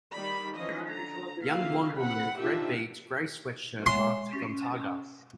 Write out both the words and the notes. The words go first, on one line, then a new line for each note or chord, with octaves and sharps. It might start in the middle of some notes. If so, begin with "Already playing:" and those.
Young blond woman with red beads, gray sweatshirt marked GONTAGA.
D#3 G3 D#4 D5 B5
E3 F3 C#4 D#4 D#5
D3 A#5
A#3 F4 E5 F5
C4 F#5 B5
F3 D4 D#4 F4 G4 E5
G#3 C#5 E5 C6
C#4